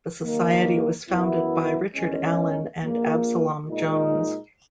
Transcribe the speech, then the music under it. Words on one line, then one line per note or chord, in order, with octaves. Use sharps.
The Society was founded by Richard Allen and Absalom Jones.
D#2 D#3 F#3 A#3
F#2 E3 B3 E4
E2 D#3 G#3 C#4
A#1 A#2 A#3
A#2 G#3 D#4